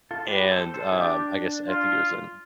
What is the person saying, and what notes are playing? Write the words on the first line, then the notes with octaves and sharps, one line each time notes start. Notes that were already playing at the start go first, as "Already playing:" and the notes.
and, uh, I guess I think it was in
F4 A4
G4 B4
A4 C5
A4 C5
E4
D4 G4
F4